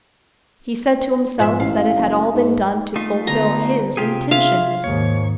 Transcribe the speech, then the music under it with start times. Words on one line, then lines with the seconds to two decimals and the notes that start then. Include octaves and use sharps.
He said to himself that it had all been done to fulfil his intentions.
1.39 G#2 F3 E5
1.60 A1 F5
1.97 F#1
2.34 G#2
2.96 A3 D#4 F4
3.27 D3 B3 A#5
3.97 C3 F4 G4 G#4
4.31 F4 G#4 E5 F5
4.84 D#2 G#2 C#5